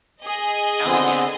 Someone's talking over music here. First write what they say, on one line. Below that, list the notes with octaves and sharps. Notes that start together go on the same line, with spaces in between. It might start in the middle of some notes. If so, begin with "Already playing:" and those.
Oh yeah.
G#4 D#5
D3 B3 C4